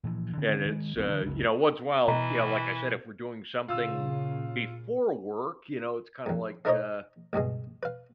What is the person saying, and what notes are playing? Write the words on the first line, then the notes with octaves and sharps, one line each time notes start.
and it's, uh, you know, once in a while, you know, like I said, if we're doing something before work, you know, it's, kinda, like, uh,
A#2 E3 F3
D3 D#3 C4 C#4
D#3 G#3
E1 A1 B3 C4
D3 E3 G3 D4
F#1 C#2
B2 E3 D#5 A#5
A#2 C#3 F4 E6
F2 G#2
A3 D#4 A#4 C5 C#5 D#5
C#2 G2 B2 G#3
B4 F5